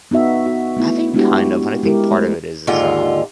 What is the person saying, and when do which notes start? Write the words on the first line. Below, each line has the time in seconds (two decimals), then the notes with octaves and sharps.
I think kind of, and I think part of it is, is um
0.11 B3 D#4 F#4 E5
0.46 F#4
0.77 A3 B3 E4
1.14 G#3 B3 D4 E4 F#4 G4
1.83 G#3 E4 G4 A#4
2.11 A3 C5
2.67 D#2 G#2 D3 F4